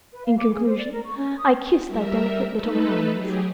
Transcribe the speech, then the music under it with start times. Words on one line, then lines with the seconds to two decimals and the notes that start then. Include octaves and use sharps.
In conclusion, I kiss thy delicate little hands.
0.12 B4
0.25 F5
0.38 D6
0.53 G#4
0.66 C5
0.77 D5
0.91 A#4
1.04 C#6
1.17 C#4
1.38 D#6
1.85 G3 A#4 E5
2.51 A3 D#4 A4 B4
3.11 F#3 G4 G#4